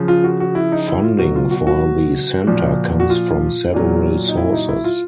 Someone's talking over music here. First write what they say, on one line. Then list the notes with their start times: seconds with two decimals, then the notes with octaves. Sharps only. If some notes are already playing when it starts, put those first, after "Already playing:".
Funding for the centre comes from several sources.
Already playing: C#3 F3
0.08 F4
0.24 F#4
0.40 F#4
0.55 E4
0.72 D#4
0.87 E4
1.04 F4
1.19 B2 F#3 F#4
1.36 F4
1.51 F#4
1.67 F#4
2.47 A#2 F3
3.00 F#4
3.10 F4
3.73 A#2 F#3
4.29 D#4
4.37 E4
4.53 D#4
4.68 E4
4.84 F4